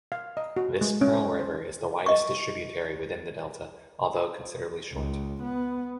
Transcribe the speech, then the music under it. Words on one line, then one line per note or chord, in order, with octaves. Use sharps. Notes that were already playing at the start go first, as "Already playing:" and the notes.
This Pearl River is the widest distributary within the delta, although considerably short.
F5
D#5
F#4
G#3
C#4
C5
C5
D#5 C#6
C#2
B3